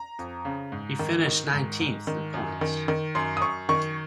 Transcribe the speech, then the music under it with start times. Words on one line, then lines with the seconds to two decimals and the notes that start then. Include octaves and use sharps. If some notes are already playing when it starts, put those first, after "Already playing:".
He finished nineteenth in points.
Already playing: A#5
0.19 F2
0.45 C#3
0.72 G#2
0.99 D#3
1.26 D#3
1.53 G#2
1.80 G#2
2.07 D#3
2.34 F#2
2.61 D#3
2.88 D#3
3.15 F#2 C6
3.37 D#6
3.42 F#2 C#6
3.69 D#3 C#6